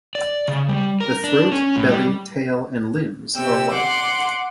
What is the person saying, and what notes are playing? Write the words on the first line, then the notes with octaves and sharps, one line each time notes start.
The throat, belly, tail and limbs are white.
D5
C#3
G3
A#4
D4
C#4
A2
G3
C3 G5 E6
F#5 C6 D6